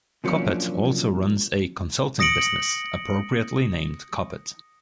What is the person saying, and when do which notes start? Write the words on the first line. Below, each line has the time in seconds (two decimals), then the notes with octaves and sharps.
Koppett also runs a consulting business, appropriately named Koppett.
0.24 B2 F3 F#3 A#3 C#4 D4
2.19 D#6 A#6 C#7 D7 F#7